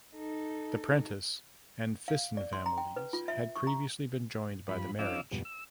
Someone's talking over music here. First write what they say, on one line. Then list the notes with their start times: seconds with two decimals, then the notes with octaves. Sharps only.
The Prentice and Fison families had previously been joined by the marriage.
0.16 D#4 A4
2.08 F5
2.37 D5
2.53 C6
2.66 A#5
2.78 G5
2.96 B4
3.13 F4
3.28 E5
3.56 C#6
3.67 A#5
4.69 G2 F3 B5
4.99 F3 C#4 D#4 F5 D6 E6
5.31 F2 G#2 B2 G3
5.45 E6